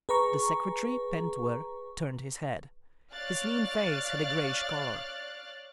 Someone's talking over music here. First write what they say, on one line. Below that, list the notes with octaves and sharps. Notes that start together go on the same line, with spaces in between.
The secretary, Pentuer, turned his head; his lean face had a grayish color.
G#4 B4 A#5 C#6
C#5 D5 F5 F6 F#6 A6